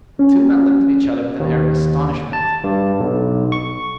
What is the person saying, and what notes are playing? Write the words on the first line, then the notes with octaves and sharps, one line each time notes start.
The two men looked at each other with an air of astonishment.
C#4
D#2
A5
G2
B1
C#6